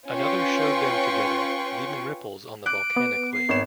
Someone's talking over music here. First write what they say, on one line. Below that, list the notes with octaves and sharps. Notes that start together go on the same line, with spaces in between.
Another showed them together, leaving ripples on the volcanic lake.
C#4 F4 B4 G5 C6 C#6
D6 F#6 D7
B3
C7
G#1 C#5 E7